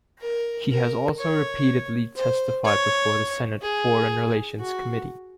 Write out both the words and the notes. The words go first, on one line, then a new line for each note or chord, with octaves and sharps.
He has also repeatedly testified before the Senate Foreign Relations Committee.
A#4
A#4
C#5
C5
C#5
G#4
F#4